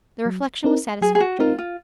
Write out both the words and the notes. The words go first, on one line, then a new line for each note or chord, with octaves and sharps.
The reflection was satisfactory.
F#3
C4 D#4 A#4
F#3 G#4
G#4
F#4
C4 D#4 F4 A#4
F4